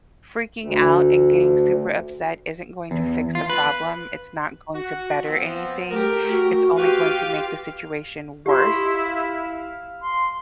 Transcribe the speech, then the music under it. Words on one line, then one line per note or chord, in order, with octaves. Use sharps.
freaking out and getting super upset isn't going to fix the problem, it's not going to better anything, it's only going to make the situation worse,
D2
E2
F4
B4
F#4
F3 B3 C4
A3 G4 A#4
F#4
F4 G4 B4 F5
E4 F4 G4 D#5 F5 C6
F5
C6